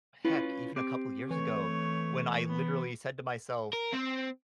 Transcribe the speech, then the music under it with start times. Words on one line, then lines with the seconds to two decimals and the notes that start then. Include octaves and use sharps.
Mm, heck, even a couple years ago, when I literally said to myself,
0.25 C#4 E4 F4 B4
0.76 C4 G4
1.31 E3 A3 C#5
2.47 B3
3.73 A#4
3.93 C4